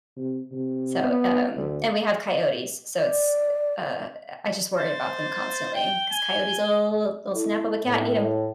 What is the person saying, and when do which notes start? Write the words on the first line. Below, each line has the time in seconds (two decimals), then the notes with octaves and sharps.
So, um and we have coyotes so it's, uh I just worry about them constantly, 'cause coyotes'll they'll snap up a cat and eat 'em.
0.17 C3
0.52 C3
1.04 B3
1.56 D2
2.97 D5
4.78 C5 A6
5.75 G5 G7
6.11 G#5
7.33 E4 A4
7.85 A2